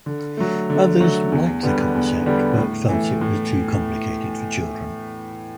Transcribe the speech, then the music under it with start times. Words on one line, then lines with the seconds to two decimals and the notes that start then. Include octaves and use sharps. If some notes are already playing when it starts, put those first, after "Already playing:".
Others liked the concept, but felt it was too complicated for children.
0.06 D3
0.37 F#3 A3
0.70 D3
1.00 F#3 A3
1.32 E2
1.63 D3 G3 B3
1.95 E2
2.26 D3 G3 B3
2.57 A2
2.89 E3 A3
3.21 A2